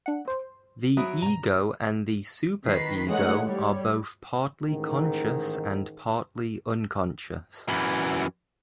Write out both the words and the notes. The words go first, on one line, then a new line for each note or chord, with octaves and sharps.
The ego and the super-ego are both partly conscious and partly unconscious.
D4 F#5
C5
F#3 E5 B5 D#6 D7
G2 B2 A#5
D#3 B4 B6 C7
E3 G#3 A3 D#4 C#5 F#5
G3 C#5
A1 G#2 D#3
F#2 E3